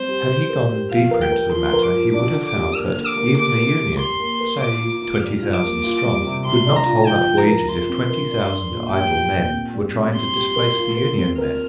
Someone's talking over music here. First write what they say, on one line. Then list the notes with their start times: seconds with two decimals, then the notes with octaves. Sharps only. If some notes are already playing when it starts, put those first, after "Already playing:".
Had he gone deeper into the matter, he would have found that even the union, say twenty thousand strong, could not hold up wages if twenty thousand idle men were trying to displace the union men.
Already playing: G3 C4 C5
0.09 G4
0.29 G4
0.49 A#4
0.70 G4
0.91 F3 F5
1.11 A#4
1.22 G5
1.32 A#4
1.52 F3 C6
1.73 A#4
1.83 D6
1.94 F3
2.13 D4 D6
2.35 D3
2.45 D6
2.55 G4
2.75 A#3 F6
2.96 D3
3.06 D6
3.17 A#3
3.37 G4 D6
3.57 A#4
3.78 G4
3.99 G4 C6
4.20 A#3
4.40 A#4
4.61 A#3 D6
4.81 F4
5.02 F4
5.22 G3 F6
5.43 F4
5.53 D6
5.63 A#3
5.84 F4
6.04 G3
6.25 C3
6.45 C3 C6
6.66 D4
6.76 A#5
6.86 F4
7.07 F3 G5
7.28 F3
7.38 A#5
7.48 A#4
7.69 F3 C6
7.89 C4
8.10 A#4
8.30 D4
8.51 D4
8.71 A#2
8.91 G4 G5
9.12 G4
9.33 A#2
9.53 C4
9.74 G3
9.94 C4
10.15 C4 C6
10.36 G4
10.56 A#4
10.77 F4
10.97 A#4
11.18 C4
11.38 A#4 F6